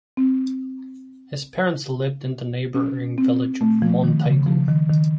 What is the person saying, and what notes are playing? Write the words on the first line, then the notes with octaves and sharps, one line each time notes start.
His parents lived in the neighbouring village of Montaigu.
C4
C#4
C4
A3
F3
D#3
C#3
F3
D#3
D#3